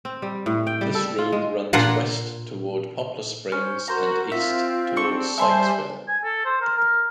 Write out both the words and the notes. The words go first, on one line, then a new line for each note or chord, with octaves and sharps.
This road runs west toward Poplar Springs and east toward Sykesville.
C4
G3
A2
G5
G3
A4
F4
G#3
A#2 D4 F4 F#5 A#5
C#4 C5
F#4 A#4 C5 A#5
C4 F4 E5
D4 A4 C#6
G3 C5 E5 G#5 A5 B5 C6
G#5
A4
C5
A#4
A#4